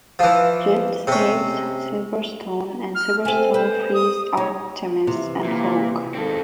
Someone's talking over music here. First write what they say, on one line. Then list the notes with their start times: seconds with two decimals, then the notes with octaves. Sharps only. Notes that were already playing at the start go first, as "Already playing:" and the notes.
Jett saves Silverstone and Silverstone frees Artemis and Hawk.
0.19 E3 F3
1.07 C3 C#4
2.95 F6
3.25 A3 C4 G#5
3.54 B4 C5
3.94 D#6
4.37 D#4 C#5
5.07 C3 E3
5.44 A#2
6.14 G#1 C4 A4